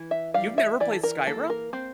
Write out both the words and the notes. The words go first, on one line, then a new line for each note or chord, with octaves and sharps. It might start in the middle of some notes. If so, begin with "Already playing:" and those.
You've never played Skyrim?
Already playing: E3
E5
G3 F5
E5
E3 D5
A4
A#4
A#3 A4
A#4
C4 C5